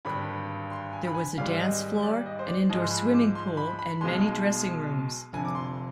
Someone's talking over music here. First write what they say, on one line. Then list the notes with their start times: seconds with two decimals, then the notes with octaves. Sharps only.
There was a dance floor, an indoor swimming pool, and many dressing rooms.
0.05 G#1 G2 D3 B5
0.71 C6
0.93 G#5
1.07 B5
1.15 G#5
1.38 G#1 G#2 G3 F5
1.60 D#5
2.03 D5
2.26 D#5
2.39 C5
2.47 D5
2.69 G#2 F3 G#3 D#5
2.84 C6
2.91 B5
3.13 D6
3.35 C6
3.57 B5
3.79 B5
4.01 B1 B2 G#3 C6
5.33 F1 F2 D3 G#5
5.45 D6
5.55 C6